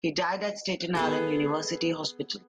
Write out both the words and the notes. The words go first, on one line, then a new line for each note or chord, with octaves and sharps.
He died at Staten Island University Hospital.
B3 G#4 A4